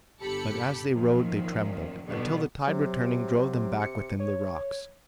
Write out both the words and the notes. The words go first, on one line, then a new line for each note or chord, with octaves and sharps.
But as they rowed they trembled, until the tide returning drove them back within the rocks.
G1 G4 A4 B5 C#7
F#2 A#2 D#3 F3
B2 D3 D#3 F#3 G3 B3
C3 F#3
C#7
C#5